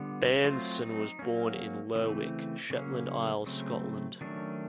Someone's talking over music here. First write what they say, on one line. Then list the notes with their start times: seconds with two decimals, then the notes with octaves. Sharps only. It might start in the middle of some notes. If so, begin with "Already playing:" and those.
Bairnson was born in Lerwick, Shetland Isles, Scotland.
Already playing: D3 G3 B3 F4
0.44 F#3 A3 C4 F4
0.82 D#4
1.19 F#3 A#3 C#4
1.95 C#3 E3 A3 C4
2.70 C#3 F#3 A#3 C#4
3.46 C#3 F#3 A3 C4
4.21 D#3 F#3 A3 C#4 D4